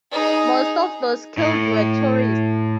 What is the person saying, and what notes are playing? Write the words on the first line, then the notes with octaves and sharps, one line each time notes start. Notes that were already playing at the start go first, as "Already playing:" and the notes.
Most of those killed were tourists.
D#4 G#4
A2